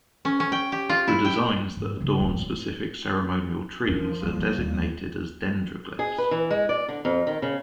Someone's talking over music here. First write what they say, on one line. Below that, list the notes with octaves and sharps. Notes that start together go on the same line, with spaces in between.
The designs that adorn specific ceremonial trees are designated as 'dendroglyphs.
C#4
C#4
G5
G4
F4
E4
G5
G#2
C#3 D#4
D1 G#1
A2
E2 G#2 B3 C#4 D4 A#4
F3
D#1 G3 A#3 B3
D3
D#2 D#3 C#4
G#4
B4
E3
G#3
D5
D3
F2
D#3
C#3